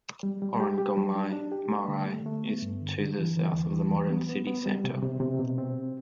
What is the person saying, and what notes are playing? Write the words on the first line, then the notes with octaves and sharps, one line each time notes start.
Orongomai Marae is to the south of the modern city centre.
G3
G3
G4
G4
F#3
D4
D4
G4
A3
D3
A3
A3
B3
G2
D3
D3
E3
E3
E2
E3
F#3
B3
B3
B3
G3
C3
C3
C3
B2
C4